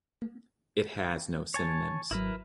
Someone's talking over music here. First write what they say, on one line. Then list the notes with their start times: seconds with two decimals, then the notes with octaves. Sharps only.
It has no synonyms.
1.54 C#5 G#5 A5
2.11 G#1 F#3 E4 A#4 B4